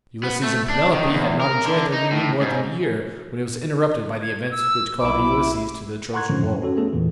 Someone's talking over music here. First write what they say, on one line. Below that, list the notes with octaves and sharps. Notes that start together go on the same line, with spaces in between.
Ulysses and Penelope had not enjoyed their union more than a year when it was interrupted by the events which called Ulysses to the Trojan war.
B3
A3
D4
D#3
E2
A#4
D3
D#4
A2
G#2
G#6
E6
B1 E4 D6
F#5 A#5 C6 C#6 F#6 G#6
A#2 D3 D#3 F3 G#3 C#4
F#2
C#4 F#4 A4
A3 B3 C#4 G#4 A4
E2 A#2 E3